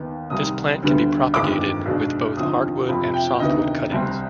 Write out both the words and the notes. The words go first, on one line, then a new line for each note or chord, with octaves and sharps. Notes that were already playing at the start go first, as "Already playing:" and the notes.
This plant can be propagated with both hardwood and softwood cuttings.
Already playing: D#2 D#3 B3
C2 C3 D#3 G3 D#6
D2 D3 G3 B3
G1 F2 D#3 G#3 D6
B1 B2 G#3 D4
D#2 D3 F3 C4 D#4 D#6
F2 C3 F3 B5
G5
D2 C3 D#3 B3 D#4 D#5
C2 C3 G3 C4